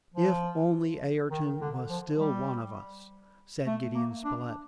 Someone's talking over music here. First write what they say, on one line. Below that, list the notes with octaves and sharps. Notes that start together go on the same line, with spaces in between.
"If only Ayrton was still one of us!" said Gideon Spilett.
F3
D#3
D3
F3
G3
A3
A#3
D4